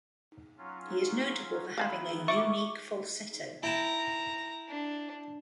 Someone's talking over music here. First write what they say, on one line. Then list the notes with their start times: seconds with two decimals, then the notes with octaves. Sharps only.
He is notable for having a unique falsetto.
0.58 F#3 C#4 F4
1.78 D#3 B3 E4 F5 A5 B5
2.28 E5 C#6 D6
3.63 E4 G5 A5 A#5
4.68 D4